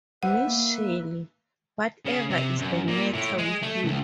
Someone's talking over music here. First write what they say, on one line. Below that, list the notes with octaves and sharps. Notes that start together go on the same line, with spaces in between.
Miss Shirley, whatever is the matter with you?
B4 C5 E5 F#5
A#3
C#3
C3
F#2
A#2
A2
G#3
A3
C#2